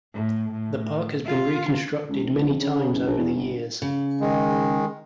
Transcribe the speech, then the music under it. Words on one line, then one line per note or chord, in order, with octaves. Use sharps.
The park has been reconstructed many times over the years.
A2
A2
F4
C#2
F1
D1
F2
C#3
C#3
F#1
A#1
E2
G1
C#3
D#3 G#3